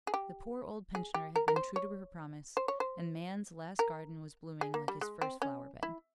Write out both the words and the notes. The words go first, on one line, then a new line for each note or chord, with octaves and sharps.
The poor old pensioner had been true to her promise, and man's last garden was blooming like his first flower-bed.
G#4
G4
G#4
G4
A#4
A#4
C5
C#5
C5
C#5
C5
A#4
G#4
A#3
G3
G#3
C4
C#4
E4